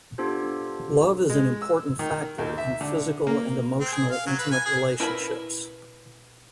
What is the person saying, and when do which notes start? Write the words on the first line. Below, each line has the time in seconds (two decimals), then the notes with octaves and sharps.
Love is an important factor in physical and emotional intimate relationships.
0.18 B3 D4 F4 G4 A4 C5
1.30 G#3
1.62 E6
1.99 D#3
2.38 D#2
2.58 E5
2.81 D3
3.27 A#3
3.81 C4
3.92 G#4
4.11 F5
4.26 F#3
4.39 B4
4.51 G#5
4.65 G#4
5.00 E4 A#4 B4 G#5 B5